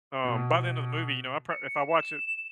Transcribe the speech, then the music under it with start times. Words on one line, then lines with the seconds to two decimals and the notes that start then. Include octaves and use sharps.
um, by the end of the movie, you know, I pr if I watch it
0.25 B2
1.50 C#7
1.89 E7